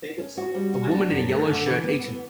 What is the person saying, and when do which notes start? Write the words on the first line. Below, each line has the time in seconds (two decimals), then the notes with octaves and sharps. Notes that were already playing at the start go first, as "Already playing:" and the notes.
A woman in a yellow shirt eating.
0.18 C#4
0.37 F#4
0.55 G3
0.74 F#4
0.91 D4
1.10 F#2
1.29 A3
1.47 D3
1.66 E3
1.84 B3
2.02 B3